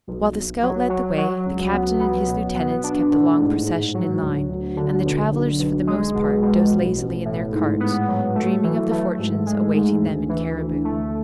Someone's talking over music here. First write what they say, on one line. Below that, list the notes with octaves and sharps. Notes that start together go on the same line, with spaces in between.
While the scout led the way, the captain and his lieutenants kept the long procession in line; and the travellers for the most part dozed lazily in their carts, dreaming of the fortunes awaiting them in Cariboo.
B1
B1
F#3
F#3
F#3
C#2
B3
B3
B2
B3
D4
A2
G#2
G#2
F#3
D2
D2
D3
B1
B1
B1
G#3
B2
B2
A1
A1
A2
G#2
B3
F#3
A3
E3
A3
G#2
G#3
G#2
D2
E3
D2
A3